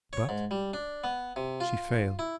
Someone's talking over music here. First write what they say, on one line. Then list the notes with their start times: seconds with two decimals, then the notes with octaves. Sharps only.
But she failed.
0.13 C#5
0.29 G#2
0.51 G3
0.74 D4
1.04 B3
1.36 C3
1.60 F4
2.19 E4